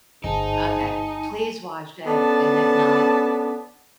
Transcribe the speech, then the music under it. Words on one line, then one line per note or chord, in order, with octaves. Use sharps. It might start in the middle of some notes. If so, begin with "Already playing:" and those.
Okay. Please watch it, and if not
D1 G1 G#2 D#4 G#5 A5
B3 C#4 D4 A4 A5